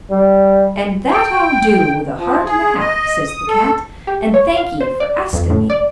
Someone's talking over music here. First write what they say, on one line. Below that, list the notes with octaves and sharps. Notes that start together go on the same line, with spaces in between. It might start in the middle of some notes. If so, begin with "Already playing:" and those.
"And that I'll do with a heart and a half," says the cat, "and thank 'ee for asking me."
G3
G5
F3
G#4
D#5
D#6
A4
G4
C#5
F5
C5
D5
F2
A2
D5